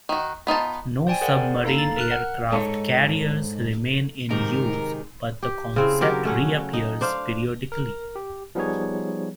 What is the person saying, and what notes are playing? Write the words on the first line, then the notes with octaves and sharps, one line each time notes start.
No submarine aircraft carriers remain in use, but the concept reappears periodically.
D#3 F#4
B3 D#4 F4 A5
C5 D5 G5 G#5
G#4 A#4 C5 D5 F#5
A#3 D#4 A4 F5 A#5
A6
A#4 F6 F#6
F#5
G#2 D#4 A4 C#5
G#2 C3 D#3 A#4
G4
C#3 C4 E4
F#3 G4 A#4
A3 C#4 F#5
D#4
D4 C5 F5
A#4
G4
F3 G3 B3 D#4 G#4 C#5